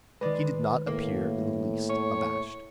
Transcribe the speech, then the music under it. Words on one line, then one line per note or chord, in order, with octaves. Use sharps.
He did not appear in the least abashed.
D#3 G#3 B4 D5
A2 A#3
C#5